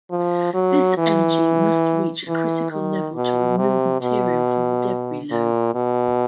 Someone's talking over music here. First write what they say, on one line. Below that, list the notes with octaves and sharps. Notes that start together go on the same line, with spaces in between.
This energy must reach a critical level to remove material from the debris lobe.
F3
F#3
E3
E3
D#3
B2
C3
B2
A#2
B2